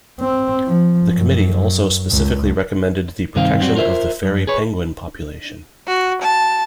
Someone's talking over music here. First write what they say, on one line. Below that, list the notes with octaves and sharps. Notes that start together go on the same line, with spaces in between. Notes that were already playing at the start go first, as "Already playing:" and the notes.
The Committee also specifically recommended the protection of the fairy penguin population.
C4
F3
F#2
C#2
C2 G2 D#3 C4 F5
F#2 G3 C4 F#4
F4 A#4 C5 E5
F#2
G#4 B4 C#5
F#4
A5